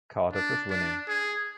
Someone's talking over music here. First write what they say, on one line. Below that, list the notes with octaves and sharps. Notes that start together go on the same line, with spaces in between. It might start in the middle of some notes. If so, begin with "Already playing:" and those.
Cardiff is winning.
D4
D4
G#4